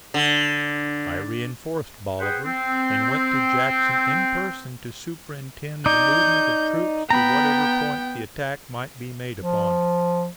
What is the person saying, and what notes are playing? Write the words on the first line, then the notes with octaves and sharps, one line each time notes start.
I reinforced Bolivar, and went to Jackson in person to superintend the movement of troops to whatever point the attack might be made upon.
D3
G#4 B4 C5 F#5 G5
C4
D#4 D5 G6
B3 G5 A#5 B5
F3